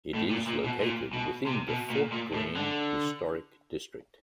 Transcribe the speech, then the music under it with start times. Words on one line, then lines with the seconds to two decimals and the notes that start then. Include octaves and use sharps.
It is located within the Fort Greene Historic District.
0.14 A2
0.31 A#2
0.47 A#2
0.65 B2
0.81 A#2
1.13 B2
1.47 C3
1.69 B2
1.90 A#2
2.12 A#2
2.34 A2
2.57 D3